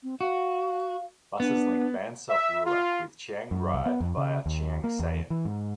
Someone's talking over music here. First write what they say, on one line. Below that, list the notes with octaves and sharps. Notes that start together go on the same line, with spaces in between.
Buses link Ban Sop Ruak with Chiang Rai via Chiang Saen.
C4
F#4 F5
B3 D4
E5
F4
F#2
C2
B3
F2
C#3
D#2
A#3
E2
E3
G#2